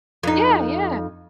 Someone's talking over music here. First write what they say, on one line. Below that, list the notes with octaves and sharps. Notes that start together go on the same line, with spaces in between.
Yeah, yeah.
F2 D#4